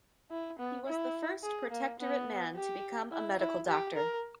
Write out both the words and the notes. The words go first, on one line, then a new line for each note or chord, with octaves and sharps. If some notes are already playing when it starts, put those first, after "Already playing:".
He was the first Protectorate man to become a medical doctor.
E4
B3
E4
G#4
A#3
B3
G4
E4
E4
G4
A#4